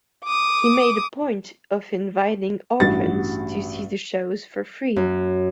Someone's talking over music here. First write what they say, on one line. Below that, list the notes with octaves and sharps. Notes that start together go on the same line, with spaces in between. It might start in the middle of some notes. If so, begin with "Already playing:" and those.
He made a point of inviting orphans to see the shows for free.
D6 D#6
A1 G2 F#4 A6
F#2